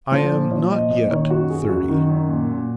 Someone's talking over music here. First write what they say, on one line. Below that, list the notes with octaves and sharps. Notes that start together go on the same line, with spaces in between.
'I am not yet thirty.'
F3
A#2
F3 C#5
A#2 D#5
A#2 D#5
D#3 C#5
F#2 F#4
F#2 G#4
F#2 F#4
D#3
F#2
A#2
A#2